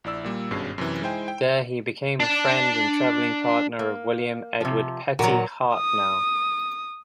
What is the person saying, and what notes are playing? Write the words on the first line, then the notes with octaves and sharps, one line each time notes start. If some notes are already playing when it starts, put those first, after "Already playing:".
There he became a friend and traveling partner of William Edward Petty Hartnell.
A#1 E4 D5 E6
A#2 G3 A#3
G#1 G2 B2 C#4 G#4 C7
F#2 C3 E3
G#3 D#4 E4 C5 G5 G#5
G5
D4 A5
A#3
C3 F3
A#2 D#3 F#3 F#4
D#6